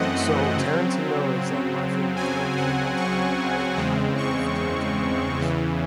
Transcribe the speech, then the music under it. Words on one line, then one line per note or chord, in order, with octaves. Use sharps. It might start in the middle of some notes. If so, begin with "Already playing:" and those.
so Tarantino is like my favorite director of all time, like I I love Tarantino movies.
Already playing: F#2 E3 A3 C4 D#5 F#5
C#3 F#3 C4
C#3 F#3 C4 G#5
F#5
C#6
E2 C#3 G#3 C4
C#6
E2 C#3 E3